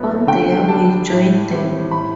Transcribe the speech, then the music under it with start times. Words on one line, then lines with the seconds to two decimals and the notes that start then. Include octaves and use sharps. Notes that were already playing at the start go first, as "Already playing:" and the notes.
On their way, joined them.
Already playing: A2 F#3 B3
0.27 D3 G5
0.68 G3 D4 A5
1.09 A2
1.50 G3 C4 E4
1.91 A2 B5